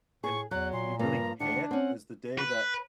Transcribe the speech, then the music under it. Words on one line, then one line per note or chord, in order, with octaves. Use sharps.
and y you really can't, is the day that
A2 G#4 C#6
E2 F#3 F#6
A#2 C6
G2 F3 A#3 A#5
D2 D#3 D4 C#7
C4 C#4 F#5
B4